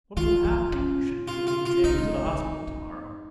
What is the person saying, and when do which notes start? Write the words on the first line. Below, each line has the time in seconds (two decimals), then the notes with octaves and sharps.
What will happen, if you should really be taken to the hospital to-morrow?
0.17 D#3 F4
0.45 F3
0.72 C#4
1.28 F4
1.47 F4
1.66 F4
1.84 C4 D#4
1.98 G#3
2.12 A#3
2.26 C4
2.40 C4
2.67 A#3